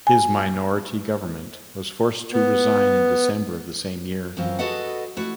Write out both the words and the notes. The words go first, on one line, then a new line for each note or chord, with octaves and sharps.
His minority government was forced to resign in December of the same year.
G#5
B3
F#2 E3 F#3 C4 F4
F#4 G#4 A4 B4 D#5 F#5
A3 E4 F#4 F#5